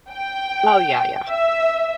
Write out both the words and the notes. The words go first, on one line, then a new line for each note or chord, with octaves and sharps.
Oh, yeah, yeah.
G5
E5